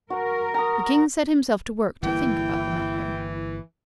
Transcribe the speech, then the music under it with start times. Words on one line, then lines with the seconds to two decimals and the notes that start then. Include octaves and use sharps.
The King set himself to work to think about the matter.
0.10 F#4 A#4
0.54 A#5 D#6
2.02 G1 E3 A#3 E4 G5